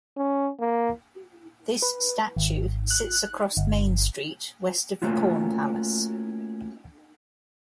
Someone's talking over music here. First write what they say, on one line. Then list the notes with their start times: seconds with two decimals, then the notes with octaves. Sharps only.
This statue sits across Main Street, west of the Corn Palace.
0.17 C#4
0.60 A#3
1.82 B4
2.37 G#1
2.90 F#6
3.57 G1
5.02 A3 A#3 C#4 F4 F#4